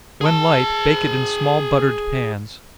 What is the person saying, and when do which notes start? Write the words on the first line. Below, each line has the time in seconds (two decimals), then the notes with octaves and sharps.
When light, bake it in small buttered pans.
0.21 G#4 A5